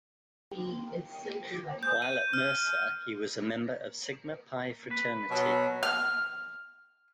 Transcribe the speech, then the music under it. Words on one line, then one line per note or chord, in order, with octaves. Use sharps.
While at Mercer, he was a member of Sigma Pi Fraternity.
G6
D#7
F6
B4
B2 F#3
F6